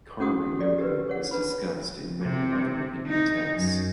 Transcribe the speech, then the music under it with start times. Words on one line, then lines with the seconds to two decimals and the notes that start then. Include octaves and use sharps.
Karma yoga is discussed in many other Hindu texts.
0.20 C#4 F#4 G#4 F#5 G5 D#6
0.57 F#4 G4 D5
0.78 G4 A#4 B4
1.08 G#4 C#5 F#5
1.31 D4 B4 B5
2.22 C3
3.07 D#4
3.56 F#2